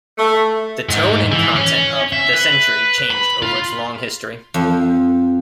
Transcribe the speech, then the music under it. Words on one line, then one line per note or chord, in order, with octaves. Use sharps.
The tone and content of "The Century" changed over its long history.
A3
G#2
E3
C#4
E5
B4
B5
F4
F2